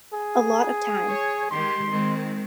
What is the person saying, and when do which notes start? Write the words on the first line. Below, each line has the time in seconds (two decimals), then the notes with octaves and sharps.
A lot of time.
0.13 G#4
1.07 C#5
1.51 D#3 G#3 G4 C6
1.88 D#3 G#3 C4